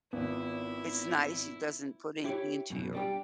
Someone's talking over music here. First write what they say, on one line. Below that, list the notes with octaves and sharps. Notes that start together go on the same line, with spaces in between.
it's nice, it doesn't put anything into your
G#1 B3 E4 F4
E4 G4 C#5
F#2 B2
G3 D4 G4